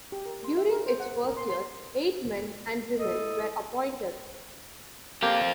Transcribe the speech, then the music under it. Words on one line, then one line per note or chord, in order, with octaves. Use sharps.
During its first year, eight men and women were appointed.
G4
A#4
C6
E5
A#4
C5
F#5
A#4
A#4
C6
C6
E4 A4 D#5
A#3 C4 F4 G4 A#4